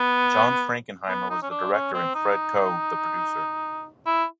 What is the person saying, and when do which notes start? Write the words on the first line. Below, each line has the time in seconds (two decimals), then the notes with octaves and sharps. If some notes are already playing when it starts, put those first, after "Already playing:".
John Frankenheimer was the director and Fred Coe the producer.
Already playing: B3
1.08 B3
1.30 D#4
1.43 C#4
1.51 D4
1.73 C#4
1.94 C4
2.15 D#4
4.06 E4